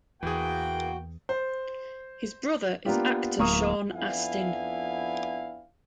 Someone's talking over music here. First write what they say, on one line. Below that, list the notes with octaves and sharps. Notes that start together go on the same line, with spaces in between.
His brother is actor Sean Astin.
E2 E3 A#3 F#4 G#4 G5
C5
A#3 B3 D4 F4 G4
D1 A#3 C#6 D#6
F2 B3 D4 E4 F5 G#5